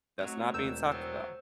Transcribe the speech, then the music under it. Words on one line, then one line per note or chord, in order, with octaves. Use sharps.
that's not being talked about.
F#3 A3 C4 D#4
E1 E6 G6 E7
F3 F#3 B3 C4